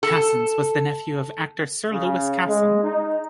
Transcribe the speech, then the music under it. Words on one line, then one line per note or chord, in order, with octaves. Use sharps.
Casson's was the nephew of actor, Sir Lewis Casson.
A4
C#3
G#3
D#4